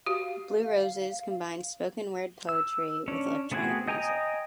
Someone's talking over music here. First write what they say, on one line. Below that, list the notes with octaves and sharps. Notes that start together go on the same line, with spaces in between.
Blue Roses combines spoken word poetry with electronic music.
F#4 G4 F5
E6
C#4 D4
A3 B3 C4 F#4 G#4
D#5 G5 G#5 A#5 D#6